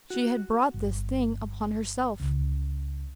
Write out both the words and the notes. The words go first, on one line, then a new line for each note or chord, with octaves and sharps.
She had brought this thing upon herself.
F#4
G1
C#2